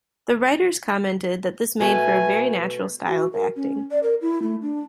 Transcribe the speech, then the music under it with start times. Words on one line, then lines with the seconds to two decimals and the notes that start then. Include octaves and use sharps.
The writers commented that this made for a very natural style of acting.
1.80 B2 A3 B4 G#5
3.08 F#4
3.33 A#4
3.56 C#4
3.91 D5
4.03 A#4
4.21 E4
4.42 A3
4.62 D4